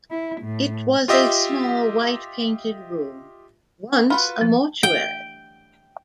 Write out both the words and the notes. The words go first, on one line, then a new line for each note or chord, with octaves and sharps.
It was a small, white painted room, once a mortuary.
E4
A2
F4 G4 D#5 E5
F4 F#4 B4 B5
F3
G5